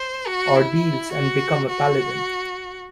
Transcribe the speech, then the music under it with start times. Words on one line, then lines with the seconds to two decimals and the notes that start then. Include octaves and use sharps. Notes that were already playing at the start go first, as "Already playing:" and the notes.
Ordeals and become a Paladin.
Already playing: C5
0.27 F#4
0.56 E4
1.12 F#4
1.69 F#4